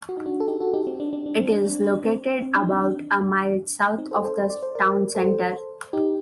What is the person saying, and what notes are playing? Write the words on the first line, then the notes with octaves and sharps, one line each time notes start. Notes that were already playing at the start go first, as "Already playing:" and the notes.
It is located about a mile south of the town centre.
F#4
D#4
D4 F#4
A4
D#4 G4
F#4 A4
D#4 G4
C4
D4
D4
D4
C4
D4
D4
C4
C4
D4
D#4
D4
D4
C4 D#4
A4 C5
A4 C5
D5
C5
A#4 D5
A4 C5
D#4 G4